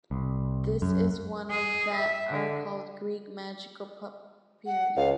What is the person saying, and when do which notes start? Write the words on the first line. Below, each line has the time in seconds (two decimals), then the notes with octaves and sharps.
This is one of that are called Greek Magical Papyri.
0.11 C2
0.82 F#2
1.50 G#4
1.94 E5
2.31 D3
4.66 F#5
4.96 C#2 F5